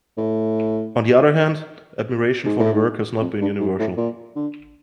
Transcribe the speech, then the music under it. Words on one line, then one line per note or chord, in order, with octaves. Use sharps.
On the other hand, admiration for the work has not been universal.
A2
G#2
A2
G#2
F2
G2
G#2
A2
A#2
D3